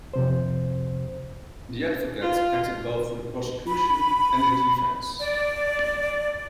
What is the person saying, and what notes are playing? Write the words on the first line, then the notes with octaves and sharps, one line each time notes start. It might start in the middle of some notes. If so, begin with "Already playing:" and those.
The advocate acted both for the prosecution and the defence.
F2 C3 C5
F4
B5
D5